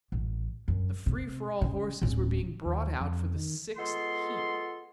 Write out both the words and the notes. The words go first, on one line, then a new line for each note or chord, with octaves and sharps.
The free-for-all horses were being brought out for the sixth heat.
A1
F#2
C3
C#3
D1 C#4
D#2
F2
D#3
G#3 B3 F4 A4 C6